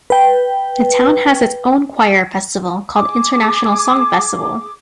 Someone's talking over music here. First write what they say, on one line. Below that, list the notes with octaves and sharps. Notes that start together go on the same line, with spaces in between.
The town has its own choir festival called international song festival.
B4 G5
G#4 D6